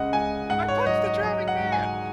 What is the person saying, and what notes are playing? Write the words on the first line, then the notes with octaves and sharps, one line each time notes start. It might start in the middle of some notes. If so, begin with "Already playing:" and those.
I punched the drowning man!
Already playing: C#2 C#3 D#5 F#5
C#2 G#5
G#2 F#5
C#5
F#3 D#5
D#5
F#3 D#5
F#5
G#2
G#5